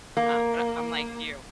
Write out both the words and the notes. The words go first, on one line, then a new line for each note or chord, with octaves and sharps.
Um, but a I'm like you
A#3